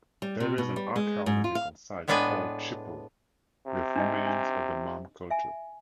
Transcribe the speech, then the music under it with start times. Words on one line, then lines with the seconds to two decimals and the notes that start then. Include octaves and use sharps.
There is an archaeological site called Chipel, with remains of the Mam culture.
0.22 G3
0.40 C3
0.58 B2
0.76 G3
0.96 G#3
1.26 G#2
1.44 F4
1.55 F5
2.08 A2 G#3 B3 D4 B4 G#5
3.66 C3
3.96 D4 D#4 D#5
4.26 D4
5.30 E5 G#5